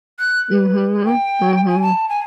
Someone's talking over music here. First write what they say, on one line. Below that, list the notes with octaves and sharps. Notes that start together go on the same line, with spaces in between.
Mhm, mhm.
F#6
B4
G5
G#5
A5
G#5